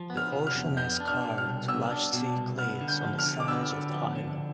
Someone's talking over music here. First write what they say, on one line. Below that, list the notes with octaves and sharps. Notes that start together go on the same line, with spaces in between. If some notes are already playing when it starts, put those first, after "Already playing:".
The ocean has carved large sea cliffs on the sides of the island.
Already playing: F3
B3
F6
C3
F6
F2
B3 G6
D4
F6
B2
F6
C2
B3 E6
D4
B2
C2
B3 F6
D3
G6
F3
F6
D3
D6
B3 E6
D3
F3
D3